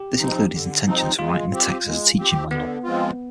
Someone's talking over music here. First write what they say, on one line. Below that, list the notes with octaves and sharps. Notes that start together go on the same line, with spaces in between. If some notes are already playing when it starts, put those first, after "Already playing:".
This include his intentions for writing the text as a teaching manual.
Already playing: G4
F3 C4 D#4
D3
F3 C4 D#4
G#3 F4
C4 G4
G#3
C4 G4
D3 B3
F3 G#3 C4 F4